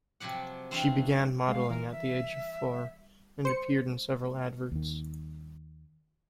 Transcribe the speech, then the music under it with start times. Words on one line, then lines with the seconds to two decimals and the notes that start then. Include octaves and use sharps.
She began modelling at the age of four, and appeared in several adverts.
0.20 C3 F3 F#3 G4 F#5
0.71 E3 C4 D4 F#4 F5
1.48 G#3 F5
1.70 E3 A#4
1.91 E5
3.45 C5 C#7
4.72 D#2 D#3